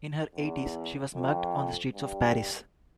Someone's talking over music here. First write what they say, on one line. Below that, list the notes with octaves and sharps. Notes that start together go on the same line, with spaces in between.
In her eighties she was mugged on the streets of Paris.
E2
F2
G2